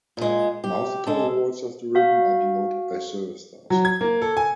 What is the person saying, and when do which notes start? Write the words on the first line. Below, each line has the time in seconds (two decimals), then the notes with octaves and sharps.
Multiple awards of the ribbon are denoted by service stars.
0.17 A#2 G#3
0.64 G4
1.07 G#3 A4
1.95 F#4 F5
3.70 F#3
3.85 G#6
4.01 A#3
4.22 A4
4.37 G#5